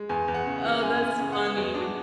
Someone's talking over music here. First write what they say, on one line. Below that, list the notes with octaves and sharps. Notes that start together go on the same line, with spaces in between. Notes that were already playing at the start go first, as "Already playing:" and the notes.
Oh, that's funny.
Already playing: G#3
E2 G#5
E2
F#5
C#3
F#5
E3
F#2 G#5
B3 G#5
C#3
F#5
G#3
E2
D4
F#4